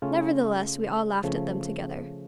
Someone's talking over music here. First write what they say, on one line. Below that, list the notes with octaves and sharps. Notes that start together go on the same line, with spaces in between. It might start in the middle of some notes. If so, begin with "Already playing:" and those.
Nevertheless we all laughed at them together.
C#3 A3 C#4 F4
C#3 F3 A3